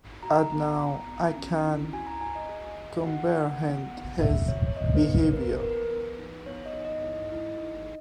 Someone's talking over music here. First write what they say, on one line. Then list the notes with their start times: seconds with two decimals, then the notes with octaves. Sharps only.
And now I can comprehend his behaviour.
0.23 F#4 A#5
0.51 B3
0.79 B3
1.08 B3
1.36 C#4
1.65 E4
1.93 F#4 G#5
2.07 A#5
2.21 F#4 G#5
2.35 D#5
2.49 G#4
2.78 G#4
3.06 F#4 F#5
3.35 A#3
3.63 B3
3.91 B3
4.20 G#4 E5
4.48 A#3 C#5
4.67 C#5
4.76 B3 D#5
4.95 B4
5.04 B3
5.14 B4
5.33 G#4 A#4
5.42 B4
5.47 A#4
5.61 A#3 A#4
5.75 B4
5.90 B3
6.19 D#4
6.46 B3 C#5
6.66 D#5
6.75 D#4
6.85 D#5
7.03 E4
7.32 E4
7.60 D#4